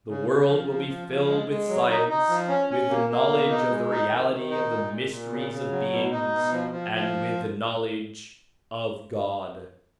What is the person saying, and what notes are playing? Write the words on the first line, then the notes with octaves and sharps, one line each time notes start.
The world will be filled with science, with the knowledge of the reality of the mysteries of beings, and with the knowledge of God.
C#3
C#3
F3
F3
F3
F3
G#3
G#3
F#3
D#4
D#4
F3
C#4
C#4
A#3
A#3
B2
D#4
G#3
D#4
D#3
D#3
D#4
A#2
A#2
A#2
C#3
C#3
F#3
B2
D#4
B2
F3
F3
F3